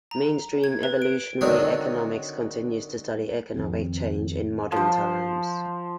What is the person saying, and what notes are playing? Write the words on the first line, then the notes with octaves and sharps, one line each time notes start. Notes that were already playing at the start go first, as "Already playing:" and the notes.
Mainstream evolutionary economics continues to study economic change in modern times.
A#5
G#6
B4
D7
D3 D#3 F#3 C4 D4 D#4
F2 D#3 F3 C4
F3 C5